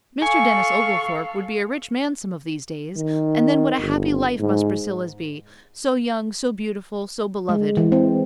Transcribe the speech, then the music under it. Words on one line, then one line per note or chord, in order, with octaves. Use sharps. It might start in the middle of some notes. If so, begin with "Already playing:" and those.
Mr. Denis Oglethorpe would be a rich man some of these days, and then what a happy life must Priscilla's be--so young, so beautiful, so beloved.
A4 F5 G#5 C#6
D#3
G1
G#2
G#3
E3
C4